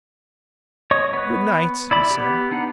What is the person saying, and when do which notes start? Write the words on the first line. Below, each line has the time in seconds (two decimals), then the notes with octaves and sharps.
"Good night," he said.
0.91 C#5 D#5 C#6
1.13 B3 B4
1.91 E4 D5 B5
2.11 B3 G4
2.51 B3 D4 D#4 F#5